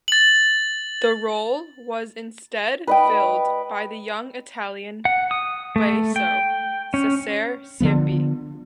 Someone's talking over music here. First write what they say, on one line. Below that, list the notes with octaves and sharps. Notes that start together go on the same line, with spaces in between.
The role was instead filled by the young Italian basso, Cesare Siepi.
A6 F#7
B4 D#5 G5
F#5
D#6
A3
G5
C#4
D3 E3 F3 B3